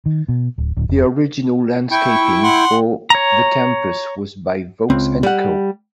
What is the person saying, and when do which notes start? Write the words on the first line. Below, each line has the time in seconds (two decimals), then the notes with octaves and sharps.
The original landscaping for the campus was by Vaux and Co..
0.06 D#3
0.29 B2
0.58 D1
0.77 D1
0.89 F1
1.91 E4 G5 C#6
2.44 F#5 C6
3.10 C#5 A#5
4.90 C#2 C4
5.23 G3 F#5